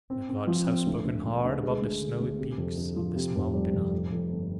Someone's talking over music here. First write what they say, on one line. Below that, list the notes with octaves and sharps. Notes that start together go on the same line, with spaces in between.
"The gods have spoken hard above the snowy peak of this mountain Ahmoon."
C4
C4
F3
C4
D2
D2
D2
D2
G#3
D2
D3
D2
C3
F2
F2
F3
C3
F1
G3
F1
F2
F2
G1